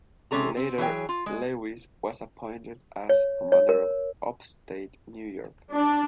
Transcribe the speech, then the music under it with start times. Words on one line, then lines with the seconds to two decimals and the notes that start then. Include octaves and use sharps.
Later, Lewis was appointed as commander of upstate New York.
0.31 C3 G#3 C#4 A4 A#5
0.57 C4
0.78 E3 F#3 G#4 C#5 G5
1.09 F4
1.26 G#3
3.09 C#5
3.52 C#5
3.69 A#4
5.72 D4